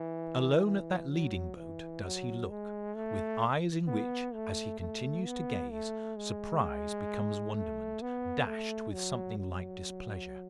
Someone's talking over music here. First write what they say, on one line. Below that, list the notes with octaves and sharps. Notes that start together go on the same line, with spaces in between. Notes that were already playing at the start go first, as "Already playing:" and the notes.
Alone at that leading boat does he look; with eyes in which, as he continues to gaze, surprise becomes wonderment, dashed with something like displeasure.
Already playing: E3
E3
F#3
E3
F#3
G#3
A3
B3
A3
A3
B3
A3
G#3
A3
B3
A3
F#3
F#3